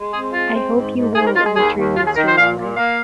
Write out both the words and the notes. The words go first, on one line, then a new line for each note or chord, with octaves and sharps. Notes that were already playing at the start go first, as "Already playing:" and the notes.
'I hope you will,’ returned Mr. Weller.
Already playing: G#3
C4 G#4
G#3 F4
C4
G#2
G#2
G#2 G#4
A#4
G#3 F4
G#4
D#2 G#4
D#2
D#2 F4
G#4
D#3 A#4
C5
A#2 F5
A#2
A#3 F5